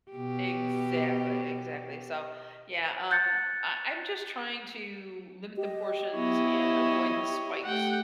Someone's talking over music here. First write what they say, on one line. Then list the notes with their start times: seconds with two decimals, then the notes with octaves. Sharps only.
Exactly, exactly, so, yeah, um, I I'm just trying to limit the portions and avoid the spikes,
0.12 B2 G4
3.11 F#6 G6 A6 C#7
5.57 G4 D#5
6.15 B3 E4 C#5 D#5
7.64 A3 F#5 G5